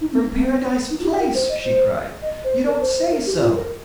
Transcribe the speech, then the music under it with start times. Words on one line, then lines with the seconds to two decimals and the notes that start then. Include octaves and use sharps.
'From Paradise Place!' she cried, 'you don't say so!
0.01 D#4
0.12 C4
0.24 A#3
0.34 C4
0.90 D#4
0.99 F4
1.04 G4
1.20 A#4
1.34 C5
1.49 D#5
1.64 C5
2.22 D#5
2.44 C5
2.66 A#4
2.81 C5
2.97 C5
3.12 A#4
3.26 G4
3.40 F4
3.55 A#4